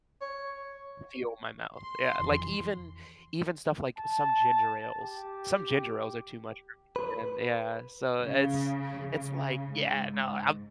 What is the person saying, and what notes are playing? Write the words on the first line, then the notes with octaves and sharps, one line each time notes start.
feel my mouth." Yeah, like even even stuff, like, some ginger ales some ginger ales are too much for me, and yeah, so it's it's like, yeah, no, I'm
C#5
C6
E1 F2 E3
A5
G4
B4
C#3
C#3
G#2